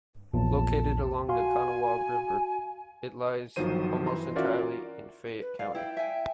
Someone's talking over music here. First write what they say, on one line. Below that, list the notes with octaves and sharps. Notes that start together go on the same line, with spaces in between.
Located along the Kanawha River, it lies almost entirely in Fayette County.
A#1 E2 A#2 A5
F#4 F5 G#5 C6
G1 D#3 F3 F#3 C5 D#7
E3 A#5 C6
C#4 F4 F#4 A#4 D5 E5
B4
D5 F5
E4 G5
E5 G#5